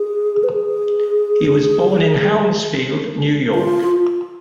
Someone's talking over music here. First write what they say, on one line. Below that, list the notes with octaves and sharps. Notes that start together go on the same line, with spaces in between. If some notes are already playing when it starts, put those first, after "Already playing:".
He was born in Hounsfield, New York.
Already playing: G#4
B4
G#4
F4